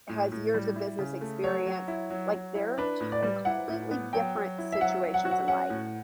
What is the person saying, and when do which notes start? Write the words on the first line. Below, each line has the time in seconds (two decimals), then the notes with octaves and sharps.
has years of business experience. Like they're to in completely different situations in life.
0.09 A2
0.32 A2
0.54 G3
0.76 E4
0.99 C#3
1.21 A3
1.44 F#3 C#5
1.67 F#3
1.88 E4
2.10 F#3
2.34 F#3
2.55 E4
2.78 D4 B4
3.01 A2
3.12 D5
3.23 G3
3.45 E4 F#5
3.68 A2
3.91 B3
4.13 F#3 G5
4.36 F#3
4.58 E4
4.72 E5
4.80 F#3 F#5
5.03 F#3
5.14 F#5
5.25 F#4
5.31 F#5
5.48 C#4 F#5
5.70 A2